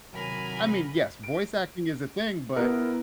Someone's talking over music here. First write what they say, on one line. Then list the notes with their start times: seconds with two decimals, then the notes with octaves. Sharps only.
I mean, yes, voice acting is a thing, but
0.13 D#2 C3 F#3 A#4 G#5 B5
1.23 D7
2.56 B3 E4 A#4